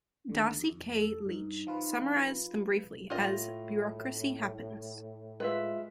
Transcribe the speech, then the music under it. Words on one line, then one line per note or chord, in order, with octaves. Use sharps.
Darcy K. Leach summarized them briefly as: Bureaucracy happens.
D#2 D3
F2
A4
G2 D#4
F3 F4 B4
A2 F4 D#5
G#3 F4 B4 E5